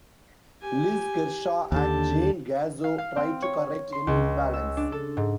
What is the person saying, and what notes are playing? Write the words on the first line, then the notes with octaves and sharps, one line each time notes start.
Liz Kershaw and Jane Gazzo try to correct any imbalance.
G4 G#5
D#2 D3 G4 A5
F5
F5
C4
C#5
C6
C#2
E6
D4
A4
G#2